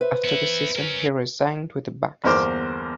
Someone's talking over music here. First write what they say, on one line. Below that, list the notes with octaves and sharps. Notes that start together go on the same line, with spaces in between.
After the season, he re-signed with the Bucs.
B4 C5 E5
B3 E4
C#4 A#4
G1 E2 A#3 A#4 C5 D6